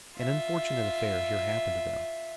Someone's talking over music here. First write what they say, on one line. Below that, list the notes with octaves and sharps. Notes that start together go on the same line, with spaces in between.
An unfortunate affair here happened to them.
F4 E5